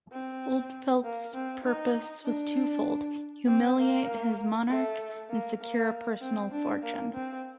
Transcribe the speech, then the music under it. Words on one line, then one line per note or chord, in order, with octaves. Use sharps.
Ulfeldt's purpose was twofold: humiliate his monarch and secure a personal fortune.
C4
A#3
C4
D#4
D4
C4
A#3
A3
A#3
A#3
C4
D4
A#3
C4